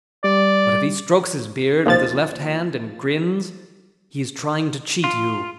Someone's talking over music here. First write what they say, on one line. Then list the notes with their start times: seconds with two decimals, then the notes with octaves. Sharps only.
But if he strokes his beard with his left hand and grins--he is trying to cheat you.
0.24 G3 D5
1.86 D#2 F3 A6
5.04 F4